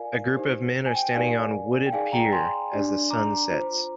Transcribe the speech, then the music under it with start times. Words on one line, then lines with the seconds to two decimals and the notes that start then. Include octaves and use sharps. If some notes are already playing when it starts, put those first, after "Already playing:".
A group of men are standing on wooded pier as the sun sets.
Already playing: F4 A#4 D5 F5 G#5
0.36 D#4 G4 C5
0.86 G#5
0.95 G5
1.14 D#4 G4 A#4 D5 F5 G#5
1.86 G5
1.93 D#4 G#4 D5 F5 G#5
2.12 G5 A#5
2.32 G#5 C6
2.72 D4 G4 D5
3.10 A#5 D6
3.50 F4 C5